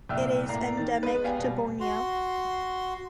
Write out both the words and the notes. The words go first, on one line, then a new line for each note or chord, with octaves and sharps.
It is endemic to Borneo.
C2 A#2 E5 G5 E6 F6
A2 A#3 D5 A#5 C7
D#3 A6
G#3 B3 B4
B3 G4 D5 F5 G#5
B2 G3
F#4 C6